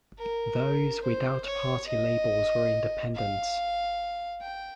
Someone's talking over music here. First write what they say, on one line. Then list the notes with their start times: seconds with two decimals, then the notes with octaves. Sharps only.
Those without party labels were independents.
0.19 A#4
1.03 C5
1.45 C#5
1.88 D#5
3.15 F5
4.41 G5